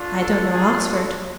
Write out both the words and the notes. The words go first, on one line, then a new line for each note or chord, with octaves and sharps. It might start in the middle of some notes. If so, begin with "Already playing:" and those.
'I don't know Oxford.
Already playing: A3 D4 F4
A4
G#4
A4